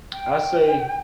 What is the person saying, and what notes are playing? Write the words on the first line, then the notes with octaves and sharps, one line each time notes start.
I say
G5